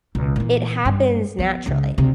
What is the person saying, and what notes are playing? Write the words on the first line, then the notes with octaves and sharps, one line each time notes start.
It happens naturally.
C#2 B2
A#2 E3
G2
F3 B3
C#2 C#3
D2 C3